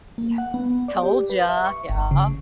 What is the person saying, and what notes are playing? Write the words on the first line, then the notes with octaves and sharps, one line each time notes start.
Yes. "Told ya." Yeah.
A#3
F#5
B3
D5
G4
B4
E5
C#6
G1
C#3